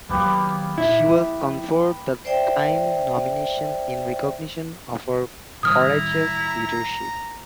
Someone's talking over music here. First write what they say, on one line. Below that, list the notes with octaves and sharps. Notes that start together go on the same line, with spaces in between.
She was conferred the thine nomination in recognition of her courageous leadership.
D#3 F#3 A#3 B3 G4
A#2 E4
F3
C5 D5 E5 G5
A2 D#3 G3 E4 A#5 D#6 F6